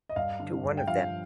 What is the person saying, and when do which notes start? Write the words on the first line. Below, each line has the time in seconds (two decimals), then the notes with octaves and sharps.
To one of them.
0.09 D#5
0.16 G2 F5
0.40 D3
0.63 G2
0.77 G5
0.87 F3 F5